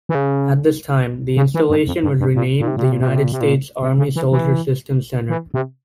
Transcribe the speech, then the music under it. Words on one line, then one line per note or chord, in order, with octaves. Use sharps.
At this time the installation was renamed the United States Army Soldier Systems Center.
E3
C#3
C#3
E3
G2
F2
G2
G2
A#2
A#2
C3
A#2
C3
A#2
C3
A#2
C3
A#2
C3
A#2
C3
C#3
E3
E3
E3
C3